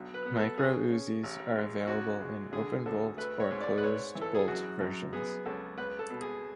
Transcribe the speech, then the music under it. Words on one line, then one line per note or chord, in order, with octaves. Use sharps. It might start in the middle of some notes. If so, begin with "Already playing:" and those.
Micro-Uzis are available in open-bolt or closed-bolt versions.
Already playing: B1 D4
B4
B3
A4
C#4 G#4
C#4
A1
G#3
C#2 F#4
G#3
D3 G#4
D2 A4
A3 B4
C#5
G#2
D5
B4
G#2 C#5
E3
A4
G#4
F#2 F#4
F#2
B3 G#4
C#2 A4
C#2 B4
A4
B2
G#4